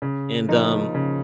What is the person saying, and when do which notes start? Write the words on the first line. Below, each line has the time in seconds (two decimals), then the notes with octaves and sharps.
And um
0.02 C#3
0.48 F3 A#3 D#4
0.95 C#3